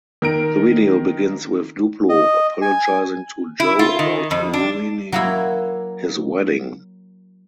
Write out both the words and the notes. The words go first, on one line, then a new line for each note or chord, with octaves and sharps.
The video begins with Diplo apologizing to Joe about "ruining" his wedding.
D#3 A#4 D7
D#5
G#5
E4
F4
D#3
F2
D4
F#3 A#3 E4